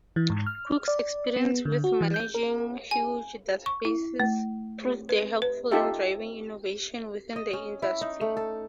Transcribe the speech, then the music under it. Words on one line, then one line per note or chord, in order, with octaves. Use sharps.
Cook's experience with managing huge databases proved helpful in driving innovation within the industry.
E3
G#2
F6
D5
B3
D3
F#4
E3
G6
A#4
G#5
C#6
E4
A3
B4
B4
D#4 F4 G4 A4 E5
D#5
C#4
E4
D#4
A3
A4